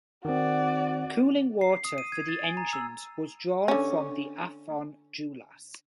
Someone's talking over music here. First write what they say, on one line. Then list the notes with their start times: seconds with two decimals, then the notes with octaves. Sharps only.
Cooling water for the engines was drawn from the Afon Dulas.
0.25 D#3 C4 F#4 D5
1.61 C7
1.85 D#6
1.98 D#7
2.12 G#6
2.28 A6
2.44 G#5
2.57 A#5
2.73 E6
3.68 D3 C#4